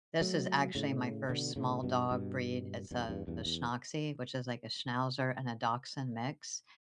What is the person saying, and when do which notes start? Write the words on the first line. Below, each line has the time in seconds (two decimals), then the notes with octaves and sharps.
this is actually my first small dog breed. It's a Schnoxie, which is like a Schnauzer and a Dachshund mix.
0.21 F#3 A3
0.75 A2 C#3
1.29 B2 D3
1.56 A2 C#3
1.83 G2 B2
2.11 G2 B2
2.91 E2 G2
3.09 E2 G2
3.27 E2 G2
3.45 E2